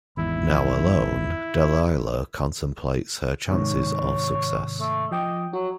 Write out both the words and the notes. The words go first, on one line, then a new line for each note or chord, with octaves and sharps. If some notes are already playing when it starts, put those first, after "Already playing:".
Now alone, Dalila contemplates her chances of success.
G#1 E2 G#2 E4
G#2 C3 D#3 C#5
A3
F3 D#5 G5 D6
F#3 F#4